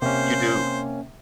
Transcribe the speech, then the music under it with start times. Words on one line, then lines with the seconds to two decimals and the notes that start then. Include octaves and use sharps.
You do.
0.02 C3 A#3 C#4 C5